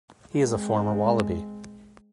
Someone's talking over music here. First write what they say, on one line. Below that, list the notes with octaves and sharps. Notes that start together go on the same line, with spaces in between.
He is a former Wallaby.
G#3 C4